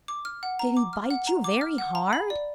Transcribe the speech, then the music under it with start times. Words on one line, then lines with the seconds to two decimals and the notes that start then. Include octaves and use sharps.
"Did he bite you very hard?"
0.08 D6
0.25 F6
0.43 F#5
0.59 A#5
0.77 D6
0.93 F6
1.11 F#5
1.27 A#5
1.44 D6
1.61 F6
1.78 F#5
1.95 A#5
2.13 B5
2.30 D5